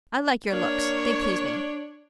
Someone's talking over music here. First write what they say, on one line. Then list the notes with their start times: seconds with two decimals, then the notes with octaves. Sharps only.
I like your looks; they please me.
0.53 A#3 D4 C#5